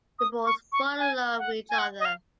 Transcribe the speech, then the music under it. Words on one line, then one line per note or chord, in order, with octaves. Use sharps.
They both fall in love with each other.
D#6
C#6
C#6
G#5
F#5
G#5
F#5
D#5
F5